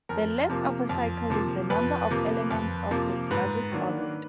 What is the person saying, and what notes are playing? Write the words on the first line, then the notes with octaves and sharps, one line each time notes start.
The "length" of a cycle is the number of elements of its largest orbit.
F2 A#4
C3 F3 A#3
F2
C3 F3 A#3
F2 B4
C3 F3 A#3
F2
C3 F3 A#3
G#2 B4
D#3 F#3 A#3 D4